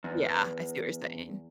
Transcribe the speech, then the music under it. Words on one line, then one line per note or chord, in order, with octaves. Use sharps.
Yeah, I see what you're saying.
E2